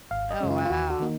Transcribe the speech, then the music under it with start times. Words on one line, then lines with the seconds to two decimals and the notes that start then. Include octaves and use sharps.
Oh, wow.
0.11 G#1 F5
0.30 D#5
0.40 F#2 C#3 G#3 C#4
0.50 F4
0.65 F4
0.70 D#2 F#4
0.90 F#4
1.00 D#3 A#3 D#4